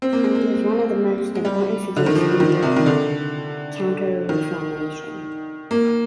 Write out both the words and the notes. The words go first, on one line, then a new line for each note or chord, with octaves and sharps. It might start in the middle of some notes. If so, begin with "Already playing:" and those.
He was one of the most important figures in the Counter-Reformation.
C4
A#3
G#3
A#3
G#3
G3
D3
D#3
F3
D#3
C3
D#3
D3
D#3
A#3